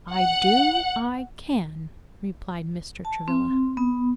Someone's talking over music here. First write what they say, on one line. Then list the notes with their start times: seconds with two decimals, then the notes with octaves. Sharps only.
"I do; I can," replied Mr. Travilla.
0.13 F#5
3.05 A5
3.28 C4
3.77 B3